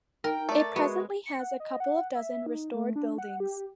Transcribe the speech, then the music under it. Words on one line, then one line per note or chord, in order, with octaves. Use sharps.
It presently has a couple of dozen restored buildings.
D#4 A#4 G5
A3 D5 A6
G#3 B3 F#4 E5 C#6
C#7
F#5
D#5
F#5
E5
D#4
A3
D4
F#5
G4